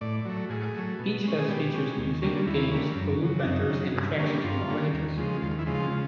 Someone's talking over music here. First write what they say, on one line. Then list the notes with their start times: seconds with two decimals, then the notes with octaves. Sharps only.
Beachfest features music, games, food vendors, and attractions for all ages.
0.01 A2 D5
0.25 F#3 A3
0.50 A2 G#4
0.74 F#3 A3
0.99 B2
1.24 G#3 C#4
1.39 G#4
1.48 B2 G4
1.73 G#3 C#4
1.98 D#2
2.22 D3 G3 A#3 C#4
2.47 D#2 E4
2.71 D3 G3 A#3 C#4
2.96 F#2
3.21 C#3 F#3
3.39 D4
3.45 F#2 D#4
3.70 C#3 F#3
3.94 G2
4.19 D3 G3 A#3 C#4
4.44 G2 F4
4.68 D3 G3 A#3 C#4
4.93 D#2
5.17 C#3 F3 G#3
5.42 D#2 F4
5.59 E4
5.66 C#3 F3 G#3
5.75 F4
5.91 C#3